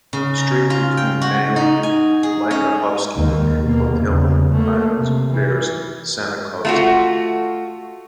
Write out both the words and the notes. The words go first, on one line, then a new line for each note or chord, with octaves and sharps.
A strait between Maly Lyakhovsky and Kotelny islands bears Sannikov's name.
C#3
A#5
F4
G5
F#4
D#4
G#5
G#4
C#4
D#2
B2 A#3
E2 C#3
A3 A#3
C3
E3
A3 F4 F#4